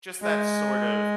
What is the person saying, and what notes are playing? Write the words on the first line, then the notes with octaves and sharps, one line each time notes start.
just that sort of
G#3